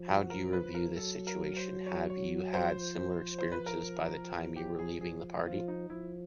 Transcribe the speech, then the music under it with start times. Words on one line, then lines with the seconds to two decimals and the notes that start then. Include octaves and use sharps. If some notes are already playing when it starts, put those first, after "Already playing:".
How do you review this situation? Have you had similar experiences by the time you were leaving the party?
Already playing: F3
0.08 F#4
0.30 A#4
0.53 B4
0.75 A#4
0.97 F#3 A4
1.27 A#4
1.57 C5
1.86 C#5
2.10 C#5
2.53 C5
2.77 F3
3.39 C5
3.52 B4
3.66 A#4
4.56 G4
4.79 G#4
5.01 G#4
5.45 F3 F4
5.68 D#4
5.90 F3 E4